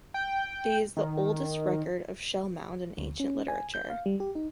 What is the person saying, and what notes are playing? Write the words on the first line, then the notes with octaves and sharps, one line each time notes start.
The is the oldest record of shell mound in ancient literature.
G5
D#3
D2
C#4
G#5
G6
F5
G3
G4
D#4